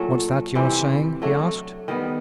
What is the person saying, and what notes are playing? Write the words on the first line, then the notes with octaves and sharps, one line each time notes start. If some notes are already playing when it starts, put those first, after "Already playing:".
"What's that you are saying?" he asked.
Already playing: A#2 F#3 A3
C3 E3 G3
F#3 A3 D4
D#3 G3 B3